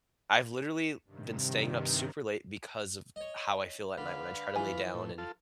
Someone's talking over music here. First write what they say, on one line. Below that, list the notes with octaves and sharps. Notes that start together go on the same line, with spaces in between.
I've literally been staying up super late because of how I feel at night when I try to lay down, and
G2 C3 D#3
C#5 D#5
D3 B4 F5
E3 F3 G#5
A2
F4 A4